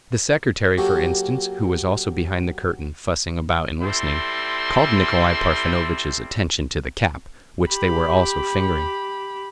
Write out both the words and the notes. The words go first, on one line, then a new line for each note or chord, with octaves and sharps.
The secretary, for instance, who was also behind the curtain, fussing about and listening, called Nikolay Parfenovitch's attention to the cap, which they were also fingering.
F#3 A#3 G4 A4 C#6
G3 C4 E4 A4 C6
G4 B5